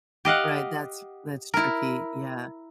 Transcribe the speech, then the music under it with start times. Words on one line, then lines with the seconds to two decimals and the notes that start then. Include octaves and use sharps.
Right, that's that's tricky. Yeah.
0.25 G4 D#5 F5 F#5
1.54 E4 A#4